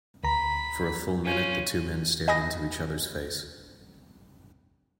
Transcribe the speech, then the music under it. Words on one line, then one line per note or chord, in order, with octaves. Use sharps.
For a full minute the two men stared into each other's face.
D2 A#5 B5
C#4 F4
D#5 G#5 B5 D#6 A#6